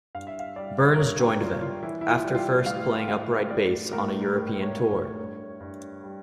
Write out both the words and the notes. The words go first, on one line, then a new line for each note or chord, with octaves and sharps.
Burns joined them, after first playing upright bass on a European tour.
G2 F5
E5
F5
G3 D5
A#4
G2 C#5
G4
G3 F4
F4
E3 E4
E4
F4
G3
F4
G4
A2 F5
A2 F5
A2 D5
A2 A#4
G3 A#4
C#5
A2
C#5
G2
G2
G3